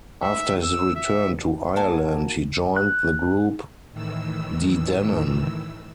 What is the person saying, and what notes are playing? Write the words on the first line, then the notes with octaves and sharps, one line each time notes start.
After his return to Ireland, he joined the group De Dannan.
E5
E6
E5
A#3 F#4 G#5 A5
F#6
A2 D#3 E3 E6